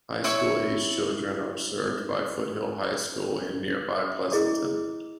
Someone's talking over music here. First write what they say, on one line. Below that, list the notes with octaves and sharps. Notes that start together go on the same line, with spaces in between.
High school age children are served by Foothill High School in nearby Pleasanton.
E4 C#5 E6
E4 G#4 D#5 D6